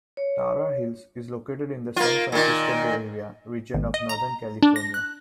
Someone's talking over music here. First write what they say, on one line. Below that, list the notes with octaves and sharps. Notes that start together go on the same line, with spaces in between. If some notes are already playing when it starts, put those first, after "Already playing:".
Tara Hills is located in the San Francisco Bay Area region of Northern California.
C#5
A#3 F4
A#2 D#3
G#1
D#5
A#5
D4
A#6
F#6